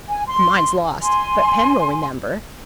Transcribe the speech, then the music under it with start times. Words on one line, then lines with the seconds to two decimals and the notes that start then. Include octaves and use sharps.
Mine's lost, but Pen will remember.'
0.08 G#5
0.28 C6
1.01 G#5 C6